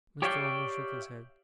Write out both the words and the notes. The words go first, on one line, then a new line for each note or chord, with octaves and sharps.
Mr. Omer shook his head.
G4 C#5 D5 E5 F5 G5